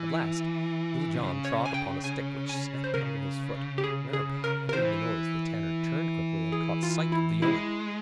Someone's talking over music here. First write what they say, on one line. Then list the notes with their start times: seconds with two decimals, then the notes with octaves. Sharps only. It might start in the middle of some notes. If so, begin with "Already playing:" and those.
At last Little John trod upon a stick, which snapped under his foot, whereupon, hearing the noise, the Tanner turned quickly and caught sight of the yeoman.
Already playing: E3
1.15 C#3
1.45 C#5
1.66 G#5
1.74 G5
2.04 G#5
2.49 G#5
2.84 C5
2.94 C#3 A#4
3.78 G4
3.84 G#4
4.13 G#4
4.44 A#4
4.69 A#4
4.73 E3 C5
6.52 G#4
6.83 F4
7.12 E4
7.42 G#3 E4